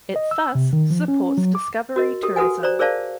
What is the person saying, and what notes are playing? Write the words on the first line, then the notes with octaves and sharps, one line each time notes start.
It thus supports discovery tourism.
D#5
E6
C3
D#3
F3
C#4
F#3
D6
F#4 A#4 D#5
G4 A4 A#4
F#4 A4 B4 F#5 G#5
C5 D5 A#5
G#4 A#4 C5 D5 F5 A5